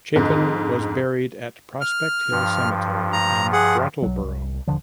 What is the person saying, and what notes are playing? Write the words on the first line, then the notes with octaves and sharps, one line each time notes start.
Chapin was buried at Prospect Hill Cemetery in Brattleboro.
F2 G#2 D3
F6
G2 F3
A#5
G#4 F#5
B1 F#3
C2
D#1 D3 F3